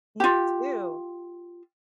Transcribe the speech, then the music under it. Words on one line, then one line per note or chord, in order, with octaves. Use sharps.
You too.
F4 G4